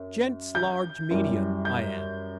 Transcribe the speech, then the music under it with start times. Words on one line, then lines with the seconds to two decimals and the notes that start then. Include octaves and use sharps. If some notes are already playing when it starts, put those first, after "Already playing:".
"Gents' large medium, I am."
Already playing: F#2
0.55 G6
1.10 F#2 E3 G3
1.65 G6